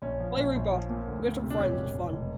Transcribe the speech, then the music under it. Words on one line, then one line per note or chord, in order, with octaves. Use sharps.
Play Repo, with some friends, it's fun.
A#1 C#4
F3
A#1
A#1
F3
A#2
D2
D2
C3
D4
E1 C#4
E1
E1
F1